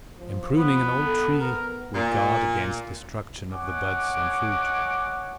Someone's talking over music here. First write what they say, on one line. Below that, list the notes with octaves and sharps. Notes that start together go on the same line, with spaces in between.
In pruning an old tree, we guard against destruction of the buds and fruit.
F3
B3
A4
B3 A#4
A#2
C#5 D#5 F#5 G#5 D6